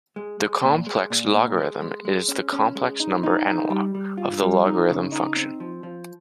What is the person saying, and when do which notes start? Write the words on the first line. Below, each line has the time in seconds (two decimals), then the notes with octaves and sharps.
The complex logarithm is the complex number analogue of the logarithm function.
0.16 G#3
0.40 G#3
0.63 A#2
0.87 G#3
1.10 A#2
1.34 A#2
1.57 G#3
1.81 G#3
2.05 G#3
2.28 C#4
2.53 C#4
2.76 G#3
3.00 D#4
3.23 D#4
3.47 D#4
3.70 G3
3.95 G3
4.18 F4
4.42 G3
4.65 D#4
4.89 C#3
5.12 D#4
5.36 C4
5.60 F3
5.83 F3